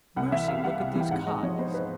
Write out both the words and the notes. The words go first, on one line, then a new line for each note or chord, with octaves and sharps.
"Mercy, look at these cod!" he said.
C2 F#5
E3 E5
C3 F5
G3 F#5
C2
E3
G5
G#2 F#5
G#3 D#5
F3 C#5
B3 C5
B4